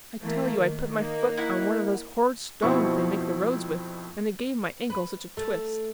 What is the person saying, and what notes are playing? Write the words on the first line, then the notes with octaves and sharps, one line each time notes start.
"I tell you I put my foot on one of those horrid stones they make the roads with, and it gave my ankle such a twist."
E3 A3 A#3
D#3
A#3 D#4
E4 F#5
F2 B2 F3 C4 E4 C#6
B4
A3